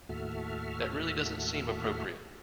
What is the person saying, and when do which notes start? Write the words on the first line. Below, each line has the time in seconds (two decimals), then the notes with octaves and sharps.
That really doesn't seem appropriate.
0.09 D#2 A2 F#4 A4 E5 F6